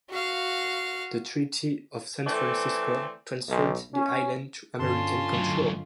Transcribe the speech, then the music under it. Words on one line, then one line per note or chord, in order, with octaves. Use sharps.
The Treaty of San Francisco transferred the island to American control.
F#4 F5
E3 A3 C4 A4 D5
B1
C#4
G2 D3 C4 C#4 F4 A5 C6
F#3 A3 D#5